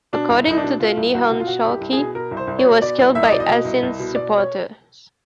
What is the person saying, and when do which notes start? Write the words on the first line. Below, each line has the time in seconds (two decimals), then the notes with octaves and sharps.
According to the "Nihon Shoki", he was killed by Asin's supporters.
0.13 B2 D4
0.30 C2
0.47 C2 D#4
0.57 D4
0.63 B2
0.80 B2 F4
0.97 C2
1.14 C2 F#4
1.31 B2
1.40 F4
1.47 B2 F#4
1.65 C2 G4
1.81 C2
1.93 B2 G#4
2.15 B2 A#4
2.31 C2
2.37 C5
2.47 C2
2.59 C#5
2.65 B2
2.82 B2 D5
2.98 C2
3.15 C2 E5
3.24 D#5
3.32 B2 D5
3.40 D#5
3.49 B2
3.65 C2
3.83 C2
3.99 B2
4.15 B2 D5
4.38 C#5